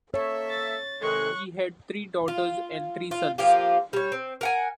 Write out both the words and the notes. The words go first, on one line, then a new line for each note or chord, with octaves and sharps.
He had three daughters and three sons.
A#3 A4 C#5 E5
A6
C3 D#3 G#3 A4 C#6 F#6
F4
F4
F3 A#3 F4 G4
G3 C#5
C4
A#4 F#5 G#5